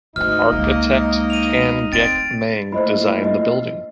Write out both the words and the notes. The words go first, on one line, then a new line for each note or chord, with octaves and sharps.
Architect Tan Gek Meng designed the building.
D2 G#2 E3 D#4 D#5 F6
C#2 G#3 A#3
D#7 F7
A3 C4 A6 D7
A3 A#3 E4 F4 C5 D#5 B5
D4 D#5